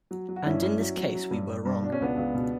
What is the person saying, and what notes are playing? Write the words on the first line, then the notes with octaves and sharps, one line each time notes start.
And in this case we were wrong.
F#3
F#3
F#4
G2 C#4 E4
G2
F#3
F#3
F#3
G2
G2
G2
B2 D4
C#4
C#2 B3 D4
C#2
B2